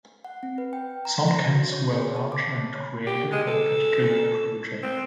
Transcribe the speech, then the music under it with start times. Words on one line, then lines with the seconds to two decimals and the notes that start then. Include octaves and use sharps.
Some camps were large and created for a particular project.
0.25 F#5
0.43 C4
0.58 B4
0.73 G5
1.05 A#5
1.29 A#6
1.48 F#4
1.73 C#5
1.91 G#4
2.16 A5
2.32 D6
2.55 C#5
3.07 G4
3.32 G#3
3.47 A4
4.83 C4